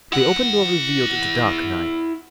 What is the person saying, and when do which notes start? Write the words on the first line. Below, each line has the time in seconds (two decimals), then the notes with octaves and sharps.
The open door revealed the dark night.
0.12 E4 F#5